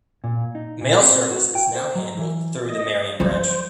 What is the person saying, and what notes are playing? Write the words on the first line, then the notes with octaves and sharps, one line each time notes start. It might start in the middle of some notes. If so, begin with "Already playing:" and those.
Mail service is now handled through the Marion branch.
A#2
D#4
A#2
C4
F#4
G5
C5
F#3
E3
D#5
F3 F#3 C5